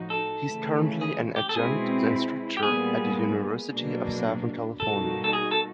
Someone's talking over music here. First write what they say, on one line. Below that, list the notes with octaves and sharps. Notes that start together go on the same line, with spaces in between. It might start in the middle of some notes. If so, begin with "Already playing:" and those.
He is currently an adjunct instructor at the University of Southern California.
Already playing: A2 F3 D#4 F#4
A4
C#3 E3 A3
G#4
G4
A4
B2 G#3 C4 E4 G#4
G4
A#2 G3 B3 G#4
B2 F#3 A#3 D4
B2 G3 A#3 D#4 F#4 A4
A4
G#4
A4